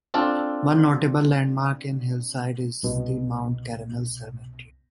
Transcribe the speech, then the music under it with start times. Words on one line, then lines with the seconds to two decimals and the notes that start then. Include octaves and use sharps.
One notable landmark in Hillside is the Mount Carmel Cemetery.
0.14 C4 D4 F4 A4
2.83 C2 B2